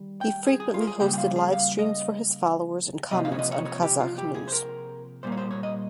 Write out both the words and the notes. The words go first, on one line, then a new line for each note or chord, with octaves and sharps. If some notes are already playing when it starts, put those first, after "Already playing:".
He frequently hosted live streams for his followers and comments on Kazakh news.
Already playing: D#3 G3
G5
G#4
G#4
F4
A#4
G#4
C#3 G3 A#3 G5
G5
F5
G#4
F5
D#5
C3 F3 A#3 D#5
F5
C#5
D#5
C#5
C#5
G4
F4
G4
G#4
C5
A#4
A#2 G3 A#3 C5
C#5
C5
C#5
D#5